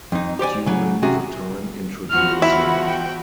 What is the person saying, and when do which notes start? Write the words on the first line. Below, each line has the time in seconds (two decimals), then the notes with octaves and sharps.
During the time Introducing...
0.12 F2 D#4
0.39 G4 C5 D5 G#5
0.66 C#3 F#3
1.02 C3 C#4 F#4 G#4 A#5
2.10 E2 F3 F#4 F6
2.42 E4 B5
2.87 G5